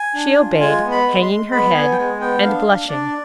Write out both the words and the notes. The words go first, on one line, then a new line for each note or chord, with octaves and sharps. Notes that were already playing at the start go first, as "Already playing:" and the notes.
She obeyed, hanging her head and blushing.
Already playing: G#5
D4
F4
G#3 G#5
B3
B5
G#3
C6
G#3
B3 B5
B3 G#5
G5
G#3 G#5
B3 G5
D4 F5
D4
D4 D5